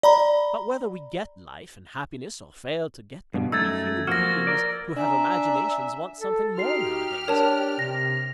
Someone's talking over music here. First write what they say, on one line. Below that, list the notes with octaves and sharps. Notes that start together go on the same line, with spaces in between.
But whether we get life and happiness or fail to get them we human beings who have imaginations want something more nowadays....
D5 A#5 B5
G2 B2
F#2 A3 D#4 E6 G#6 A6
F3 A#3 F#4 F6 A#6
A#4 D5
D4 E5 G#5 A#5
A4
D#4 F#4 G4 F6 C7
D4 A#4 C#5 A5
C3 A#6